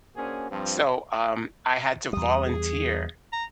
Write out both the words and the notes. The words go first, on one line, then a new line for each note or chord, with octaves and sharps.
so, um, I had to volunteer
A#3 C#4 D4 F#4 G#4 C5
G2 F3 C4
E2 G3 D#6
G#4
A#5